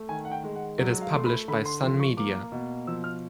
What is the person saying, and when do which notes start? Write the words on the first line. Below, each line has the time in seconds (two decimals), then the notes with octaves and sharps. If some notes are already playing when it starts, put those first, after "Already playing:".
It is published by Sun Media.
Already playing: A3
0.09 D#3 G#5
0.25 F#5
0.32 G5
0.44 G#3
0.55 F#5
0.78 F#3
1.01 F5
1.14 A3 C6
1.25 B5
1.48 D3 B5
1.66 C6
1.82 F3 C6
2.00 C#6
2.17 A#3 D6
2.52 B2
2.87 F3 E6
3.04 F6